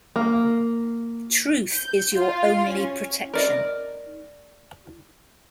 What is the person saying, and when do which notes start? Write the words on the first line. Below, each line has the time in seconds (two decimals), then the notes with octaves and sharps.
Truth is your only protection.
0.16 A#3
1.73 G6
2.16 F4
2.69 C#4
3.34 A#4 D5 D#5